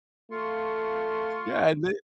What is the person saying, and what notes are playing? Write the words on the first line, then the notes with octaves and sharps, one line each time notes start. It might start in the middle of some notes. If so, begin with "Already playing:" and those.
yeah and they
A3 F4 C6 C#6